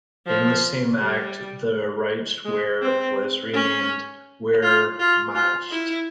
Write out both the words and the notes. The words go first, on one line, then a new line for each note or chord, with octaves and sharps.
In the same act, the "Reichswehr" was renamed "Wehrmacht".
F3
G3
G#3
C4
C#4
F4
F4
F4
E4